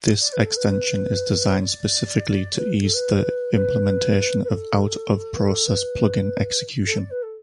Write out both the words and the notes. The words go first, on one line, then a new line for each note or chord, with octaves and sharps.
This extension is designed specifically to ease the implementation of out-of-process plugin execution.
D5
B4
A4
B4
B4
D5
B4
A4
B4
B4
B4
A4
B4
A4
B4
A4
D5
B4
A4